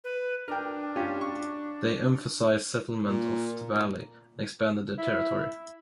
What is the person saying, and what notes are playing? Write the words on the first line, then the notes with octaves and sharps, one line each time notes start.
They emphasized settlement of the valley, and expanded their territory.
B4
D4 A#4 G5
C#4 F4 G4
C#6
A#2
E4